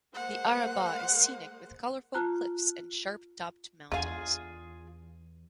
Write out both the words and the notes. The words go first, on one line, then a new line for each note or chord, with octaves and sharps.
The Arabah is scenic with colorful cliffs and sharp-topped mountains.
G#3 A#3 C5 F#5
F4 A5 A#5 F#6
E2 D3 F4 G#4 F5